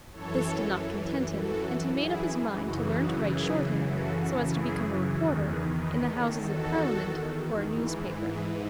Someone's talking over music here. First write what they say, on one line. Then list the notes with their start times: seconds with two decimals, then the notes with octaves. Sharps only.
This did not content him and he made up his mind to learn to write shorthand so as to become a reporter, in the Houses of Parliament, for a newspaper.
0.12 F#2 E3 A4 C#5
1.38 F#4 A4
2.01 E4 G#4
2.64 F#2 C#3 E3 D#4 F#4
2.96 D#4 F#4
3.27 E4 G#4
3.89 F#4 A4
4.52 E4 G#4
5.15 E2 D#3 F#4 A4
5.47 G#4 B4
5.78 B4 D#5
6.09 A4 C#5
6.40 F#4 A4
7.67 G#2 E3
8.29 G#4 B4